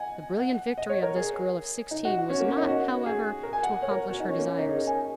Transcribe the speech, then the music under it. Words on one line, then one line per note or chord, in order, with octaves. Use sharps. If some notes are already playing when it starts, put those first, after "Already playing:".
The brilliant victory of this girl of sixteen was not, however, to accomplish her desires.
Already playing: D#5 F#5 G#5
F#5
D#5
C#5
A#4
G#4
D#4
F#4
C#4
A#3
C#4
D#4
F#4
G#4
A#4
G#5
F#5
C#5
A#4
F#4
D#4
C#4
A#3
D#4
G#4
A#4
G#5